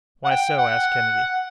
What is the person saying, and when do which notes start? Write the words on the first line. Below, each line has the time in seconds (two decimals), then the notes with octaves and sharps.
"Why so?" asked Kennedy.
0.25 F#5
0.31 G5
0.58 F#5